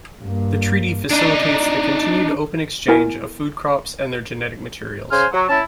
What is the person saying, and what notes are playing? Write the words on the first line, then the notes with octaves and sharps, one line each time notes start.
The Treaty facilitates the continued open exchange of food crops and their genetic materials.
G2 A#3
D4 D#4
B3 E4 A#4 G#5
C#3 C5 G#5 C6 F6
F#3
C#4 E4 A5